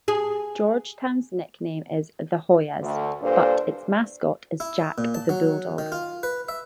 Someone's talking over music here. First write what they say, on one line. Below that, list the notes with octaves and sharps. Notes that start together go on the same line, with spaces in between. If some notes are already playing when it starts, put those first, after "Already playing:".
Georgetown's nickname is The Hoyas, but its mascot is Jack the Bulldog.
G#4
D2
G2 A#2 D4 A4 C5
E4
A#2
A5
F#3
D#3
F4
B4
E5